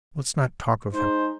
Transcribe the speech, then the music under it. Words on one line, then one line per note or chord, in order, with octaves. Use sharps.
Let's not talk of him.
G#3 D#4 C5